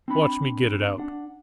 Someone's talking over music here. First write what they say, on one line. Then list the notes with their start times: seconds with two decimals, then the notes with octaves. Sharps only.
Watch me get it out!'
0.08 C4 D4 B5
0.98 D4 F#5